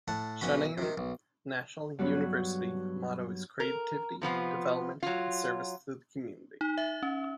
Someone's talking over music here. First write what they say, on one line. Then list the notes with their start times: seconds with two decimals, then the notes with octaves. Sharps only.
Chungnam National University motto is "Creativity, Development, and Service to the community".
0.08 A2 F#5 A5
0.41 B1 C#4 F#4 B5
0.78 C3 D#3
0.98 B1
1.99 G2 F#3 B3 B4
3.60 A#4
4.22 C3 F3 B3 F4
5.03 F#3 F4
6.61 D#4
6.78 E5
7.03 C#4